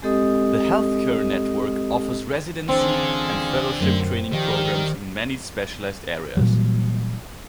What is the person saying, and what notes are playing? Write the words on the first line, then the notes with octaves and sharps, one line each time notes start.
The healthcare network offers residency and fellowship training programs in many specialized areas.
G#3 C4 G4 A4 D#5 D#6
C#2 D3 E3 C4 G#4 F5
F#2 A3 F4
D#3 F3 G4 D5 F5
A#2 E3 F#3 G3